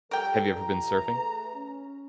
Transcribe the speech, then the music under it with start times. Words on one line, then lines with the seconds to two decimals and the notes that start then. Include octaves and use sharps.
Have you ever been surfing?
0.11 F3 G3 A4 A#4 G5
0.57 A1 E3 A#5
1.13 A3 G#4 B4
1.54 C#4